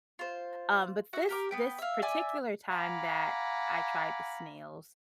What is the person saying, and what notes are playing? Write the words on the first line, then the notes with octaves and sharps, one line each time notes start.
Um, but this this particular time that I tried the snails,
F4 C5
F#4 E5 F#5
G4 A#4 D6
B3 B4 G5
E5 F5
D5 E5 G#5 D6
F5 F#5 G#5 A#5 B5 D6